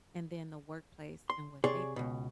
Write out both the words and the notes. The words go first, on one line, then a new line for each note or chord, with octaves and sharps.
and then the workplace and what they think?
C6
C3 G#4 C#5 D5 C6
C#2 B2